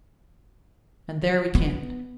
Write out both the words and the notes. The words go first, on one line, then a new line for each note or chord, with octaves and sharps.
And there we camped.
B3